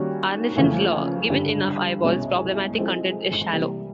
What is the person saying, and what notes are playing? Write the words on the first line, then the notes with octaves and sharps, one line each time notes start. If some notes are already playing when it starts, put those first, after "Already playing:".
Arnison's Law: "Given enough eyeballs, problematic content is shallow".
Already playing: D#3 G3 A#3 C#4 F#4
F2 C#3 E3 A3
G2 D3 G3
C2 B2 G#3 C#4
F3 G#3 C4 E4 A4
C3 E3 G3 A#3